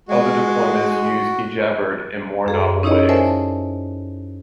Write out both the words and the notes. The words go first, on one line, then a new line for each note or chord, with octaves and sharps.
Other deployments use ejabberd in more novel ways.
G#3 F#4
F#2 G#4 A4
C#4 D#4 E4 G#4 C#5 D#5
A#4 C5 D5 E5 G#5 A5